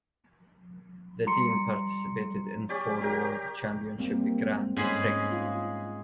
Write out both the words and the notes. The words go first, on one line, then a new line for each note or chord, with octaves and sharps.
The team participated in four World Championship Grands Prix.
G3 A#5 C6 C#7
C#4 G4 D5
G4 A#4 G5
G3 A#3 C4
G#2 C#4 G#4 B5
F4